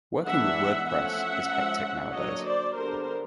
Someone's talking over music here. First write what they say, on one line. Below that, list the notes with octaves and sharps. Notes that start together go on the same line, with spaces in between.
Working with Wordpress is hectic now-a-days.
E3 G#3 B3 D4 E5 F#5
F3 A3 C#4 E5 F#5
F3 G#3 C#4
D3 F#3 A#3 D4 C#5 D#5
C5 D5
D3 G3 B3 D4 A#4 C5